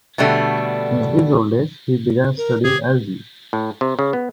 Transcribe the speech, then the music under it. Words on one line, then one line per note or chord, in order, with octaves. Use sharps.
In his old age he began studying algae.
B2 D3 G3 A3 D4
A#4
G4 G#4
A2
C3
C#3
B3